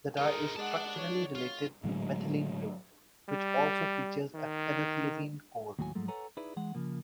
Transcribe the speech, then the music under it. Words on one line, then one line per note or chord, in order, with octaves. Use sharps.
The dye is structurally related to methylene blue, which also features a phenothiazine core.
D#4 F4 G#4 A#4
G#3 D5 F#5 A5
C#5
F4
A2 D3 F#3 G#3
G3
D#3
D#2 A2 F#3 F#4 G#5
G#2 F3 F#3 G#3 A3
A4 B4 C#5 F#5 G#5 A#5
D#4 E4 G#4 B4 D5
E3 G#3 F#5
C#3 F3 A#3